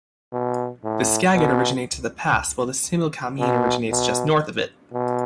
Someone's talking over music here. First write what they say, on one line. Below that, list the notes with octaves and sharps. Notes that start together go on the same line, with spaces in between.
The Skagit originates at the pass while the Similkameen originates just north of it.
B2
A2
B2
B2
B2
B2